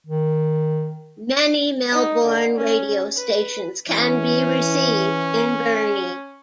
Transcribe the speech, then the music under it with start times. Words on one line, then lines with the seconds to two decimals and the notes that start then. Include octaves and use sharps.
Many Melbourne radio stations can be received in Burnie.
0.07 D#3
1.92 D#4
2.25 D3
2.56 C#4
3.17 B4
3.90 E3 C#4